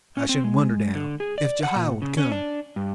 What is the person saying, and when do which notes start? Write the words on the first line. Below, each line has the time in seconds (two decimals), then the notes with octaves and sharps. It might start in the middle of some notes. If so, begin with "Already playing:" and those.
I shouldn't wonder, now, if Jehiel would come.
0.17 C#4
0.29 C4
0.44 G#3
0.95 D3
1.20 G#4
1.38 D5
1.63 F#5
1.76 A#2
2.02 C#3
2.17 C#4
2.32 D4
2.76 G2